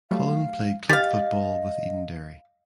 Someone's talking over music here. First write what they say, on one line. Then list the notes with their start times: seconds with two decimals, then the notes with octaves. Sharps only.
Cullen played club football with Edenderry.
0.11 F#3 G3 A3 F5
0.89 G4 D#5 F5 A6